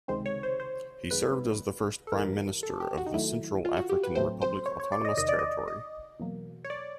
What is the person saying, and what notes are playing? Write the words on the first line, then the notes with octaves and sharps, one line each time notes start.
He served as the first Prime Minister of the Central African Republic autonomous territory.
C#2 C3 D#3 G#3 C4 C5
C#5
C5
C5
F#2 D#3 G#3 B3 B4
A4
G#2 E3 G3 A#3 A#4
A4
G4
F#4
D#4
D#2 D#3 F#3 A3 E4
F4
F#4
G4
B4
A2 F#3 A3 C4 C5
C5
C#5
C#5
D5
D#5
E2 C3 D#3 D#5
D5
D#5
D#5
E2 B2 F#3 A#3
C#5
D5